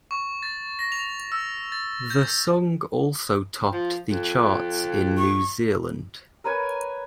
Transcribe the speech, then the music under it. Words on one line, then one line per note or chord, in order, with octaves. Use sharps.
The song also topped the charts in New Zealand.
C#6
A6
A#6
F7
E6
A6
G6
F3
F2
C#6
A#4 B4 C#5 G#5